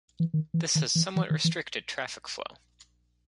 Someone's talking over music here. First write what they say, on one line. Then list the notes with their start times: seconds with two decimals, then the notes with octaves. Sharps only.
This has somewhat restricted traffic flow.
0.20 E3
0.34 D#3
0.54 E3
0.75 D#3
0.95 E3
1.16 E3
1.30 D#3
1.44 E3